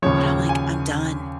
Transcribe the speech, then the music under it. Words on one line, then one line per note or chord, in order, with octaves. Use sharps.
but I'm like, "I'm done.
D#2 C#3 F3 C#5
G#5